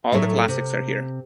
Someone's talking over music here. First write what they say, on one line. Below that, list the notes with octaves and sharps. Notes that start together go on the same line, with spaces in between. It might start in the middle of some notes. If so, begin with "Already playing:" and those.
All the classics are here.
A2 F#3 A3 E5
C3